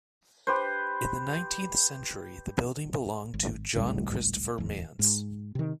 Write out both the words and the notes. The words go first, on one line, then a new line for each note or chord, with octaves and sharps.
In the nineteenth century, the building belonged to John Christopher Manse.
G4 B4 C5
G#1
G#1 C#2 A2 G3
D1 E2
G#2
C3 D#3